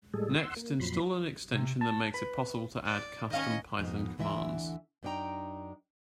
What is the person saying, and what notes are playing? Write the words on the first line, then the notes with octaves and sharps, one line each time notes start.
Next, install an extension that makes it possible to add custom Python commands.
A2 G3 G#3 G#4 A4
F#5 C6 E6
A#3
F2 A#2 F3 F#3 B5 C6
F#3
C3
A5
B4
D5
D#3 C#4 D#5 F5
F2 G#2 B2 D#4
D2 D3 E3 D#5 E5
F#2 B3 D4 D#4 G5 A#5